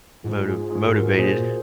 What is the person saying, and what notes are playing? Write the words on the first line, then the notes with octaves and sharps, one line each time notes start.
moti motivated.
G#2 F4 G#4
F4 G#4
F4 G#4
F#4 A#4
A#2 G#4 C5